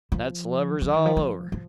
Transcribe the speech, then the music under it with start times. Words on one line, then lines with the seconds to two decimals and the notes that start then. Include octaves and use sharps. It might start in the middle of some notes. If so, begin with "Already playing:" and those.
That's lovers all over.
0.12 F3
0.82 F3
0.93 D#3
1.06 F3
1.17 F3
1.52 F3